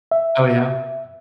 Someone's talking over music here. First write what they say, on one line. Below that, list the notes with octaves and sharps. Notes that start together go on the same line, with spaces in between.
Oh, yeah.
E5